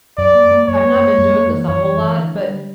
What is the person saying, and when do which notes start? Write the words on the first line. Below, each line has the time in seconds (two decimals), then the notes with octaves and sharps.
I've not been doing this a whole lot, but
0.18 F#2 D5
0.35 A#3
0.51 A#3
0.68 F#2 C#5
0.85 A#3
1.01 A#3
1.18 F#2
1.34 A#3
1.51 E3
1.68 F#2 C#5
1.84 E3
2.01 E3
2.18 D3
2.35 G3
2.51 G3